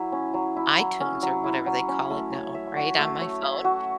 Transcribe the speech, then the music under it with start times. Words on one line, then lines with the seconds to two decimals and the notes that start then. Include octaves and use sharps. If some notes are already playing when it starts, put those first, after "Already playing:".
iTunes or whatever they call it now, right on my phone."
Already playing: F#3 E4
0.12 C#4
0.34 F#3
0.56 E4
0.78 F#3
1.00 C#4
1.22 F#3
1.44 E4
1.66 F#3
1.88 C#4
2.10 A3
2.32 C#5
2.54 E5
2.76 F#4
2.99 A3
3.21 C#5
3.42 E5
3.64 F#4